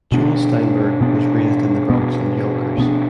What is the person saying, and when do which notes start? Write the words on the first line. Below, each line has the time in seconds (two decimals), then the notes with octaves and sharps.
Joel Steinberg was raised in the Bronx and Yonkers.
0.12 B2 B3 D4
1.01 B2 B3 D4
1.90 B2 B3 D4
2.78 B2 B3 D4